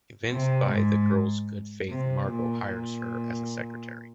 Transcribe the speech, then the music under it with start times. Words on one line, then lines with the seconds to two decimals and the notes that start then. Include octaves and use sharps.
Convinced by the girl’s good faith, Margo hires her as a secretary.
0.31 C3
0.71 G#2
1.89 C3
2.28 A#2
2.68 A#2